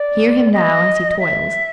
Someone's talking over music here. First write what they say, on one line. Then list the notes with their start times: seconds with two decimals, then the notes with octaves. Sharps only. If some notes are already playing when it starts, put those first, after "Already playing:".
Hear him now as he toils.
Already playing: D5
0.52 D#5
1.19 E5